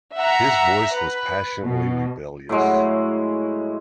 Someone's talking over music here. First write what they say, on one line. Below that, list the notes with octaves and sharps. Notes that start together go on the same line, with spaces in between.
His voice was passionately rebellious.
E5 F#5 A#5
B4
B2
A2 F#3 G#3